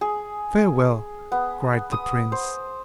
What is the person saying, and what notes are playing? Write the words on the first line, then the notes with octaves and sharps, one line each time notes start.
"Farewell!" cried the Prince.
G#4
B3
D#6
C5